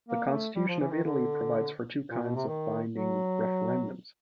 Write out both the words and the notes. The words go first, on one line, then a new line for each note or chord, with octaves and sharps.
The constitution of Italy provides for two kinds of binding referendums.
A#3
A#3
A3
G3
F3
E3
D#3
D3
A#2
B2
C3
D#3
F#3